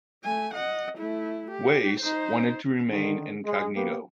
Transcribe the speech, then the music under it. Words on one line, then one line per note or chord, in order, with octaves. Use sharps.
Wace wanted to remain incognito.
A3 G#5
D#5 F#5
A3 E4
G4
D#4 C5
D3 D#3
G#3
A#3 B3 G4